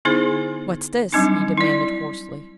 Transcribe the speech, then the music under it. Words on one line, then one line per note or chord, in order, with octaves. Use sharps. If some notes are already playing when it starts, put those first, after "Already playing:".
"What's this?" he demanded hoarsely.
D3 B3 D#4 E4 G#4 C5
F#3 G3 C4 D4 D#4
E4 D5